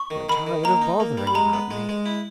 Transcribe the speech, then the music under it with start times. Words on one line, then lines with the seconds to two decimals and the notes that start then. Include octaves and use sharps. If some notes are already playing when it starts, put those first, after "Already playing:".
You're tired of bothering about me.
Already playing: C#6
0.11 D#3
0.29 D#3 B5
0.47 D#3
0.64 A#3 A#5
0.81 D#4
1.00 A#3
1.18 G3
1.27 B5
1.35 G#3 A#5
1.53 B3
1.71 G#3
1.89 G#3
2.06 E4